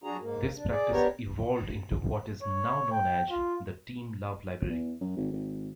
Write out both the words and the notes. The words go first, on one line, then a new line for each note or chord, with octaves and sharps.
This practice evolved into what is now known as The Team Love Library.
F#2 D4 F#4 G#4 A#5
G#2 A#3
D4
G#4 D5
B3 D4 G4 A#4 C#5
C#5
G5
F4
E2
F#2
G#1
G#1